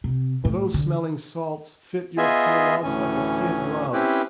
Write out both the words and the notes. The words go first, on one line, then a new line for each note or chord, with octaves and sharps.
For those smelling-salts fit your prologues like a kid glove.
C3
A2
D3
B3 F4 G#4 D#5 E5 G#5
D2 A2 E3 C#4 G#5
C4 C#4 E4 G4 B4